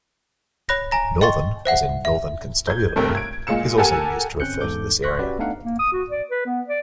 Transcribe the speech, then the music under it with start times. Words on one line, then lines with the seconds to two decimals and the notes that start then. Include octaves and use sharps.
"Northern", as in "Northern Constabulary", is also used to refer to this area.
0.69 C#5 B5 F#6 A#6
0.91 G#5 A#5 A#6
1.21 D#5 G5 C6 C#6 A6
1.65 C5 E5 F#5
2.05 E5
2.67 G6 G#6
2.96 G2 C3 A3 A#4 G5
3.15 G#6 D7
3.47 A#2 G#3 F4 C#7 E7
3.78 G4 A4 A#4 F#5 G#5 A5
4.40 G1 C4 C#4 F#6 G6 C#7
4.61 E2 G#2 A4 D6 G6
5.02 C6 C#6 F#6 A#6 B6
5.19 C#4 F#4 G4 B4 D5
5.39 A3 B3 D4 D#4 F5 F#5
5.65 A#3
5.79 D#6
5.92 F#4
6.10 D5
6.31 B4
6.46 B3
6.68 D5